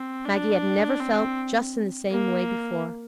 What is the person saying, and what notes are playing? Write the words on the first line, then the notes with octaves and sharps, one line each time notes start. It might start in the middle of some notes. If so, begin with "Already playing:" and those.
Maggie had never felt just in the same way before.
Already playing: C4
D4
C4
A#3